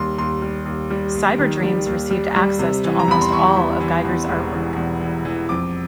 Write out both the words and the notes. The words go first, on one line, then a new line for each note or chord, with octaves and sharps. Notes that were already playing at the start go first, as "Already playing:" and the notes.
Cyberdreams received access to almost all of Giger's artwork.
Already playing: D#2 G3 C6
D#2 C6
G3
D#2
G3
D#2
D#3
G3
D#2
G3
G3
C3
E3
A#5
E2 B5
C6
E3 C#6
E2
E3
E2
E1
E3
E2
E3
E3
F2 D6